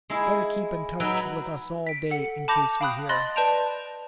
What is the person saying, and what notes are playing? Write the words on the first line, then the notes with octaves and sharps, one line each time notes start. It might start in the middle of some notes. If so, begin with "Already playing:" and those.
Better keep in touch with us all day in case we hear.
G#3 E4 G#4
F#3 D#4 B4 E5 G5 B5
B6 D7
A4 F#5 C#7
A5 B5 D6 G6 A#6 F7
F5 G5 B5 D#6 F#6
D#5 B5 C6 F#6 A6 A#6
B4 D5 A5 G6 D7 F7